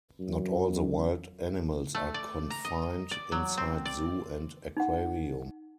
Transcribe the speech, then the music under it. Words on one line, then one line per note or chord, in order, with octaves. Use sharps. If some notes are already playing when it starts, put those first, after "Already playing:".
Not all the wild animals are confined inside Zoo and Aquarium.
F#2
A3
D5
A#5
D#5
D5
F#3
C4
D5
D#4 F#5